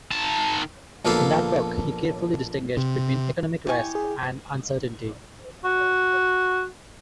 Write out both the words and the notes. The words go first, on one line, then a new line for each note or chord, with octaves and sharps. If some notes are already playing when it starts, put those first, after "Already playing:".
In that book, he carefully distinguished between economic risk and uncertainty.
D#3 A5
A#1 F3 A#3 B3 A4 F5
C3
E4 G4 G5 G#5 C#6
G#4
F#4